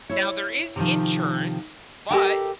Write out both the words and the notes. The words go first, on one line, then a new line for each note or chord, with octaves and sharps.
Now, there is insurance, but
E4 C#5
C3 D#3 F3
G4 A4 A#4 D#5 G5